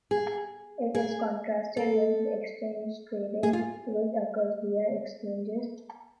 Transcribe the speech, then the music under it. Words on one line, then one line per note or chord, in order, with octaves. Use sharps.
It is contrasted with exchange trading, which occurs via exchanges.
G#4
G#4
A4
G#4
F4